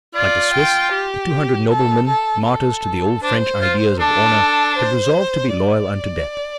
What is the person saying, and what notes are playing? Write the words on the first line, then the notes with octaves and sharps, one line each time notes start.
Like the Swiss, the two hundred noblemen, martyrs to the old French ideas of honor, had resolved to be loyal unto death.
F4 D5
G5
G4
A4
A4
A4
D4 C5
F4
D4 A4
C5
D5